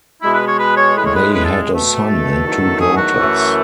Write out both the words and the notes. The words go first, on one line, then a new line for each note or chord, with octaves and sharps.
They had a son and two daughters.
B2 G#3 E4
B4
C#5
B4
C#5
A2 G#3 B4
C#5
B4
B4
A4
B2 A3
A4
E2 D#3 F#3 A3
G#4
F#4
F#2 E3 A3